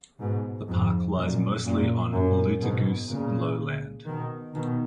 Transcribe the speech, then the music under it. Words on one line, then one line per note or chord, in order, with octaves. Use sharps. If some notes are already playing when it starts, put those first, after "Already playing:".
The park lies mostly on Alutaguse Lowland.
G#2 B2
F2 G#2
F#2 A#2
F#2 A#2
F#2 A#2
G#2 B2
A#2 C#3
B2 D#3
B2 D#3